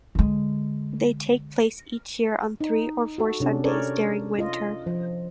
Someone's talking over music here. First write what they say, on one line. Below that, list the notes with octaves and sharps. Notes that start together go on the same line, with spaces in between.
They take place each year on three or four Sundays during winter.
D3 G#3
D#4
F#4 A4
C3 C#4 D4
C#4 A4 A#4 C#5 D5
F4 D#5
F3